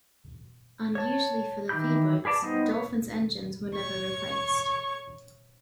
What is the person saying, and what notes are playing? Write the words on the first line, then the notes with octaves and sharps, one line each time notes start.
Unusually for the V-boats, "Dolphin"'s engines were never replaced.
C#5 A5
D#3 E3 G4 B5 G6
G#4 B4 D5 A5
G3 B3 D#4 C5 D#5
B4 C#5
C#5 C#6